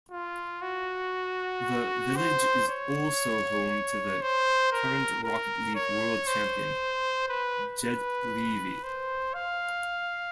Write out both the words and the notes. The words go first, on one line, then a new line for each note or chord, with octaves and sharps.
The village is also home to the current Rocket League World Champion, Jed Levy.
F4
F#4
C5
C#5
C5
A#4
A#4
C#5
C5
B4
B4
C5
F5